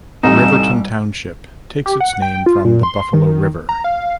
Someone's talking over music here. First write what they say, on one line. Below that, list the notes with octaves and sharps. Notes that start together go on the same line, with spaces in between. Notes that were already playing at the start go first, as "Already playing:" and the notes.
Riverton Township takes its name from the Buffalo River.
A1 C3 G3 D#4 E7
G4
F#5
G5
F4
A#2
C6
D#3
A#5
F5